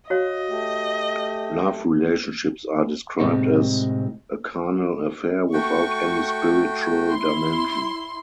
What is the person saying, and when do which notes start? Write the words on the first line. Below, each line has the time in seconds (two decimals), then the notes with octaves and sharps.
Love relationships are described as a carnal affair, without any spiritual dimension.
0.10 F#4 C#5 D#5 F5
0.49 A3 G4
3.20 A2 C3 D#3 G#3 C4 D#4
5.53 A3 F#4 G5 C#6
7.09 E4 C6